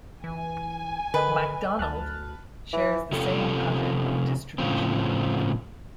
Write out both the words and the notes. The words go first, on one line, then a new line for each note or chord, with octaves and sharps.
"McDonald" shares the same pattern of distribution.
E3 G#5
D3 A#4 B4 D#5 B5
D2 A5 F6 F#6
E3
C3 F3 C#4 A4
A2 C#3 F3 C4